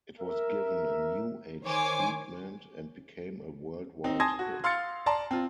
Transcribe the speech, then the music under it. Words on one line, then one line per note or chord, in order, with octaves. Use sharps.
It was given a New Age treatment and became a worldwide hit.
A#4 E5
D#3 C5 C#5 G#5 D6
C4 D#4
G#5 A5 C6 D#6 G#6 A#6
F#4
F5 C6 F6 A6 C#7
D5 A5 A#5 C6
C4 F4